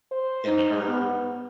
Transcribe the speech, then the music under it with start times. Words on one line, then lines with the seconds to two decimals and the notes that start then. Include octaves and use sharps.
and her
0.11 C5
0.47 D#4
0.88 B3